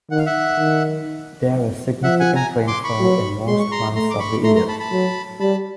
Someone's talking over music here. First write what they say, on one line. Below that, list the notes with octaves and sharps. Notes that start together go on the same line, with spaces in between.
There is significant rainfall in most months of the year.
D#3 F#5
F5
E5 F#5
D#3
F3 E5 F#5
F#5 G#5
G#5 A#5
C6 D6
B5 C#6
F#3
G#3 C6
C#6
A#5 C6
A3 A#5 C6
D6
B5 C#6
A3 A#5 C6
A#5 C6
A5 B5
A5 B5
F#3
G3 A5 B5